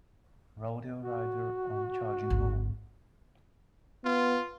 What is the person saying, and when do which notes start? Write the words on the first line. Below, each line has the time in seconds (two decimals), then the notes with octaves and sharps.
Rodeo rider on charging bull.
1.01 F#4
2.30 G#1 D2
4.05 B3 F4